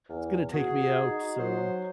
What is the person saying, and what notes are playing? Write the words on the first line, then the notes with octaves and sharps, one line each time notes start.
it's gonna take me out so
E2
F#4 G#4
D#4
F#3 C5